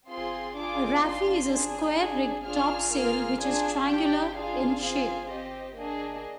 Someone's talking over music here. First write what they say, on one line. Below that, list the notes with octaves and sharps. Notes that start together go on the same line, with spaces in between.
A raffee is a square-rigged topsail which is triangular in shape.
C4 F4 G#4 C6
D4 F4 G#4 D6
D4 F4 G#4 C6
D4 G#4
D4 G#4
D4 F4 G#4 F6
A#3 F4 G#4 F6
D4 F4 G#4 G#5
D4 G4 G5
D4 F4 G#4 F5
C4 F4 G#4
C4 G4 D#5
A#3 D4 G#4 D#5